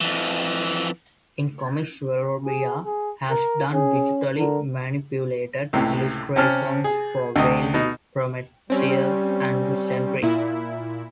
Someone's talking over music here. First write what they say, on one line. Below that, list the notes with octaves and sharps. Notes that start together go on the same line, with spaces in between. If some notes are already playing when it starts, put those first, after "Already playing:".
In comics, Villarrubia has done digitally manipulated illustrations for "Veils", "Promethea" and "The Sentry".
F2 E3
G#4
G#4
A#4
C#4 G#4
D3 A#4
C#2 A2 C3
C3 C4 C#4 A5 F6
G#4
D2 C3 D#5
B2 D#4
G3 C4 C#4
A#2 E4